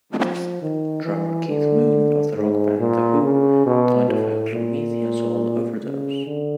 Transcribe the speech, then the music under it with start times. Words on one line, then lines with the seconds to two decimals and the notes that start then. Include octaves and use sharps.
Drummer Keith Moon of the rock band The Who died of a clomethiazole overdose.
0.18 F3
0.62 D#3
1.05 E3
1.49 D3
2.35 G#2
2.79 A#2
3.22 C#3
3.66 B2
4.09 A2
4.53 A#2
5.84 C#3
6.27 D3